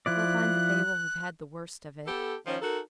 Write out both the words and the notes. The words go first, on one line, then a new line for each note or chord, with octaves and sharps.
They'll find that they will have had the worst of it.
F3 E4 D5 F#6
B3 G4 A4
D#3 F3 C#4 F4
D#4 F#4 A4 A#4